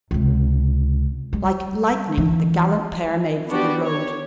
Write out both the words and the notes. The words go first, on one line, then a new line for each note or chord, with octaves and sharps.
Like lightning the gallant pair made for the road.
C#2 C3
G3
E3
B3 D4 F#4 G4 D5
C#5